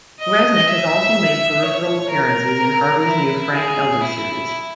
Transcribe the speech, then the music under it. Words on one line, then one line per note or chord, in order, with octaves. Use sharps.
Resnick has also made peripheral appearances in Harvey's new Frank Elder series.
D#5
E5
C#5
A#4
E4
G#4
E4